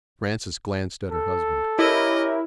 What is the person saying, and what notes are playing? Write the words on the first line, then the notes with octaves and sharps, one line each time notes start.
Francis glanced at her husband.
A4
C#4 E4 G4 A#4 D#5